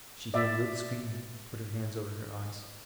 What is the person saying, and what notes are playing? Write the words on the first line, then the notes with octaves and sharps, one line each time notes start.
She gave a little scream, and put her hands over her eyes.
D5 E5